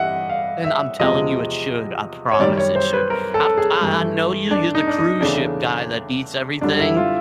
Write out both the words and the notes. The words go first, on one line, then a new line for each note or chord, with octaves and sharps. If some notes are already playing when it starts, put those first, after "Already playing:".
And I'm telling you, it should, I promise it should. I t I I know you, you're the cruise ship guy that eats everything
Already playing: G2 E3 G3 D#5 E5 F#5
F5
E5
E2 C3 F3 G#3 D#5
C#5
F#2 D#3 G3 D5
C#5
C5
B4
A#4
A4
G#4
G2 E3 A3
D4
D#4
D4
D#4
E2 C#3 E3 A3 D4
F#2 D3 G3 D4
E4
F4